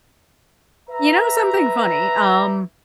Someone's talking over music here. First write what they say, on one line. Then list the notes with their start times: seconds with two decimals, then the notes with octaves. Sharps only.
You know something funny, um,
0.89 B4 E5 A#5